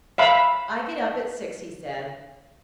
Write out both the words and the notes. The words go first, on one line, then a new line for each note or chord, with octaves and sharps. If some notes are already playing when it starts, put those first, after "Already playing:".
"I get up at six," he said.
E5 F5 B5